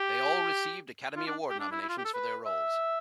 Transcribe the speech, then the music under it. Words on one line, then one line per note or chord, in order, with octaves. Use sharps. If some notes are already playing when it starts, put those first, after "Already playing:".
They all received Academy Award nominations for their roles.
Already playing: G4
F4
D4
G4
D4
E4
E4
F4
G4
A4
B4
E5